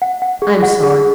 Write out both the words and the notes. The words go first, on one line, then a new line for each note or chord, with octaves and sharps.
I'm sorry.
F#5
F#5
G#4
F#5
G#4